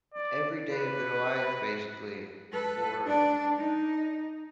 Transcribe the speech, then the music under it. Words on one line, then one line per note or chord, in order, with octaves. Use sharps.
every day of their life, basically, for
D5
B4
A4 B4
D4 D5
D#4